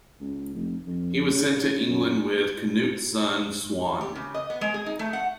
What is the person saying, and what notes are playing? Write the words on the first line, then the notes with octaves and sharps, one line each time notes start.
He was sent to England with Canute's son Sweyn.
C#2
F1
F2
C#3
F#2
G4
C#3
D#5
B3
G#3
G#4
D#4
A3
F#5